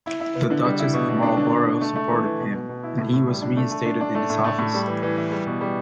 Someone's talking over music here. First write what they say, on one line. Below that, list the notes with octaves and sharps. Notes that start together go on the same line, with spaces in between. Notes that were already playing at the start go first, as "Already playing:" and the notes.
The Duchess of Marlborough supported him, and he was reinstated in his office.
E4
E4
B3
D3
G3
E4
B2
B2
D4
D3
D4
D3
A3
A3
E3
E3
B2
B2
B2
E4
A2
A2
G3
D4
A3
A3
D4
D4
A3
A2
A3
A2
G3
E3
E3
E3
G3
B2
G3